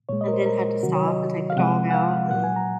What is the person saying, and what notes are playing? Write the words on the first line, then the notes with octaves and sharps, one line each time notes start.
and then had to stop and take the dog out and
A#2 G#3 C#5
D#5
A#4
C5
A#4
C3 D#3 F#3 F#4
C#5
D#5
F5
C3 F3 G#3 F#5
F#5
F5
A#2 F#3 F#5
G#5
A#5